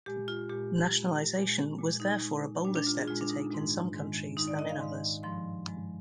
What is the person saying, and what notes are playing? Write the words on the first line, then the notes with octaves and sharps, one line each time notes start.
Nationalization was therefore a bolder step to take in some countries than in others.
A#2 G#3 G4
F4
A#2 G#3 G4
A#2 G#3
A#2 G#3
A#2 G#3
D#4
A#2 G#3
A#2 G#3 D4
D4
F4
G#4
A#2 G#3 F4
D4
D#4
G#2 D#3 G#3
G#2 D#3 G#3
G#2 D#3 G#3 D#4
D5
D#5
F5
G#2 D#3 G#3
G2 F3 G#3 C6
G2 F3 G#3